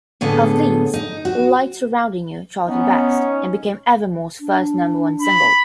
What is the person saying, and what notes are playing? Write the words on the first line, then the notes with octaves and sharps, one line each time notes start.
Of these, "Light Surrounding You" charted best, and became Evermore's first number one single.
A2 D3 B3 G#4 A4
D#4
F#4
B3 C#4 D#4
D4
B5